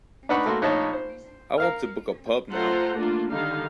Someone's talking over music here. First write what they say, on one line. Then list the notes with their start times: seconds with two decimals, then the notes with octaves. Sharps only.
I want to book a pub now.
0.29 D4 D#4 B4 F#5 B5 C#6
0.46 A3 A#3 F#4 C6
0.62 A#1 D#4 C#5 D#5 A5 C#6
0.93 C5
1.58 A#4 F5 F6
2.51 A3 F4 A4 C5 F#5 A#5
2.94 A3 A#3 D4 F4
3.31 D3 D#3 G3 D#4 F5